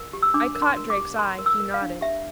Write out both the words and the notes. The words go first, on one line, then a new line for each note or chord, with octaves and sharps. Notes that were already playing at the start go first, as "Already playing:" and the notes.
I caught Drake's eye; he nodded.
Already playing: A#4
G4
E6
D4 D6
A#4
C6
A#4
D6
G4
A#4 C6
A#4
E6
A#4
F5
D4
G4 E5